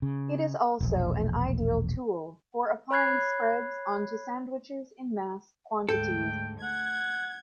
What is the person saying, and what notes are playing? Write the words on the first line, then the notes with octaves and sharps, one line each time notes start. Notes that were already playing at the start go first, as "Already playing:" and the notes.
It is also an ideal tool for applying spreads onto sandwiches in mass quantities.
C#3
E1 A#1
C#5 B5 F#6 G#6 C7
D2 G#2 A4 G5
F#5 G#6